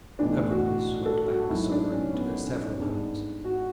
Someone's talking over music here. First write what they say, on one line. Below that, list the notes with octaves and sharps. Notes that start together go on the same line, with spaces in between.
Her brothers went back sorrowing to their several homes.
B1 A2 E3 D4
F#4
A4
F#4
G#1 G#2 F#3 E4
D4
C#4
B3
C#4
G#1 G#2 G#3 B3 D4
F#4